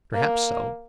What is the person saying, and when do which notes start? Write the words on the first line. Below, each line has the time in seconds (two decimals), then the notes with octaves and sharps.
Perhaps so.
0.14 A#3